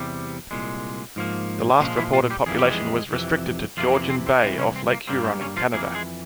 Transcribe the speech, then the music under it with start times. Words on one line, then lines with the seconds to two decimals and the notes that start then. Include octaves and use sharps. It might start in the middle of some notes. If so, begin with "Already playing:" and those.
The last reported population was restricted to Georgian Bay off Lake Huron in Canada.
Already playing: E2 C3 G3
0.51 C2 A#2 G#3
1.16 G#2 F3 A#3
1.81 A#2 C#3 F3 G#3 C#4
1.97 E3 E4
2.13 F3 F4
2.30 G3 G4
2.46 F2 E3 G3 A#3 G#4
2.58 G4
2.70 G#3 G#4
3.12 F2 C3 E3
3.77 F2 C3 E3 F3 A#3 F4
3.94 A#3
4.10 C4
4.27 C4
4.43 C2 C3 E3 C4
4.58 C#3 C#4
4.76 C4
4.92 A#3
5.07 G2 G3 A#3 C4
5.25 C4
5.41 C#3 C#4
5.57 F3 F4
5.73 F2 E3 G#3 A#3 G#4
5.95 G#3 G#4